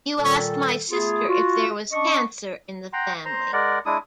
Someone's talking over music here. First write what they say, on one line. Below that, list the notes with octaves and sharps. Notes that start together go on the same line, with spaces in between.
You asked my sister if there was cancer in the family.
A#2 D#3 G3 A4
A3 B3 F4 G#4
F4 F#4
C#4 D4 D#5 C#6
F#5 G5 A#5 C6
C5 A#5 C6
G#3 A#4 D5 F#5
G#3 D4 E4 D#6